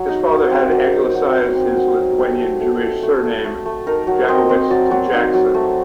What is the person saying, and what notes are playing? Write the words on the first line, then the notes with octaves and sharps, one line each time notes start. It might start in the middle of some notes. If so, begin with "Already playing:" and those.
His father had Anglicised his Lithuanian Jewish surname Jakowitz to Jackson.
Already playing: F#3 F#4
D#4
A#3
C4
F#3
D#4
F#3
D#4
C4
F#3
F#3
A3 G4
A3
A3
A3
A3
A3
A3
A3
D#4 A#4
F#3
C4 D#5
C4
F#3 D5
F#3
D#4
F#3
A3